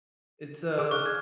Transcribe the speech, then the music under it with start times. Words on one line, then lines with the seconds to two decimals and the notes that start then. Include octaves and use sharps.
It's a
0.78 G#4 D6 E6
0.91 C#6 F6 F#6
1.06 G#6